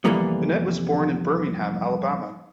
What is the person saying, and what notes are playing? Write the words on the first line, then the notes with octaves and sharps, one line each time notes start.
Bennett was born in Birmingham, Alabama.
C2 F2 E3 G3 A#3 B3